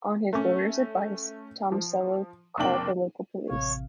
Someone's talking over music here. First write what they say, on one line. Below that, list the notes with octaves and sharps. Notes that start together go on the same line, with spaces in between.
On his lawyer's advice, Tomasello called the local police.
A3 C#4
F3
F#1 C3 A#3 D4 G5 F#7
A1 C3 C#5 F5